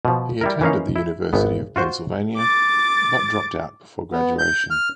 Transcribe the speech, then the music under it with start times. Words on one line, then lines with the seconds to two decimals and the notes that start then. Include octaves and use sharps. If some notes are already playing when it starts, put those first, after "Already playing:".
He attended the University of Pennsylvania, but dropped out before graduation.
0.05 B2 F3
0.41 G3 E4 A#4
0.61 E3 A#3 C#4 D#4 F5
0.96 E4
1.33 G#1 B3
1.76 F4 F#4 C5
2.37 D6 A6
4.12 B3
4.39 G6
4.70 F6